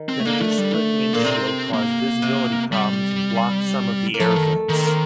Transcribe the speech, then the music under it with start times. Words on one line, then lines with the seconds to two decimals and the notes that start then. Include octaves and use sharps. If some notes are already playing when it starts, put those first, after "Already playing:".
The new split windshield caused visibility problems and blocked some of the air vents.
Already playing: D#3
0.09 C4
0.20 A3
0.25 D3 A#3
0.42 A3
0.58 G3
0.74 A3
1.13 A#2 A#3
1.24 C3 C4
1.74 A#3
2.22 C3
2.72 G3
4.14 A#3
4.20 F3 A3
4.36 D#3
4.69 D#3 A#3
4.78 C4
4.86 A#3